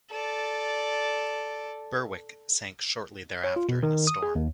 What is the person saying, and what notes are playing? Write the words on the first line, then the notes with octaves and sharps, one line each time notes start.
"Berwick" sank shortly thereafter in a storm.
A4 D5
C#5
F4
B2
D#3
D#6
G#4
D#2